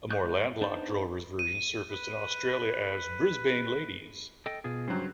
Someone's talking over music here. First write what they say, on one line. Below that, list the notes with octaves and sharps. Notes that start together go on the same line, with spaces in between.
A more landlocked drover's version surfaced in Australia as "Brisbane Ladies".
G#3 C#6 D#6 F#6 G6
B3 D4 D#4 C5 A5
D#7
B4
A4 D#5 G5
B2 F4 G#4
G2 C#3 F#3 C5